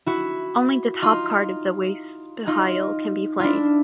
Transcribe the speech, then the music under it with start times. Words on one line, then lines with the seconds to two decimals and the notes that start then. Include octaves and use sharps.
Only the top card of the waste pile can be played.
0.06 E4 F#4
1.02 D#4 F4
2.47 D#4 F4
3.40 D4 E4 F4